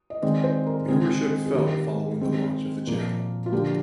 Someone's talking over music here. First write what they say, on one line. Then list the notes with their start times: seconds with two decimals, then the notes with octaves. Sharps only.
Viewership fell following the launch of the channel.
0.10 D#5
0.22 D#3 G#3 C4 D5
0.44 C5
0.67 A#4
0.88 D#3 G#3 C4 G#4
1.46 G#4
1.54 D#3 A#3 G4
2.21 D#3 G#3 C4
2.87 A#2 F3 A#3
3.46 F4
3.52 D3 F3 A#3 G4